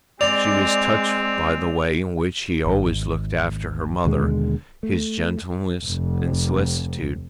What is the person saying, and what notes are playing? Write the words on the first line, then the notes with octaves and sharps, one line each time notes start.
She was touched by the way in which he always looked after her mother, his gentleness and solicitude.
G#3 C4 D5 F7
G#1
D#2 B2 D3 G#3
A3
F1